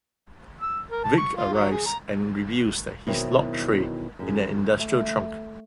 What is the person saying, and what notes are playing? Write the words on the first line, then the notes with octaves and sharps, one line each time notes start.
Vic arrives and reveals that he's locked Roy in an industrial trunk.
E6
A#4
A5
C#6
F4
F#3
G#4
A#5
E2 B2 D#3 E3 F#3 C4
F#2 G#4
A3